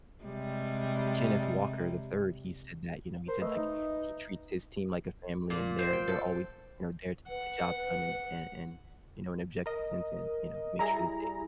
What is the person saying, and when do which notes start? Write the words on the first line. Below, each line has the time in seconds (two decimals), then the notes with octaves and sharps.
Kenneth Walker III, he said that, you know, he said, like, he treats his team like a family and they're they're always, you know, there to get the job done and and and, you know, an objective sense and, you know, make sure that they
0.23 C3 G3 G#3
3.28 A#4 C5
3.41 A3 B4 D#5 E5
3.57 D#4
5.50 A#2
5.79 C5
5.93 G5
6.08 A4
7.29 B4 F#5
9.66 A#4 D#5
10.79 G3 E4 G#4 A#5